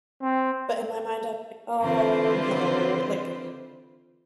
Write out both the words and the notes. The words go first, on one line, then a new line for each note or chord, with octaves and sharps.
But in my mind I was like, "Oh, no. Like,
C4
D3 E3 C4 F4 B4 C5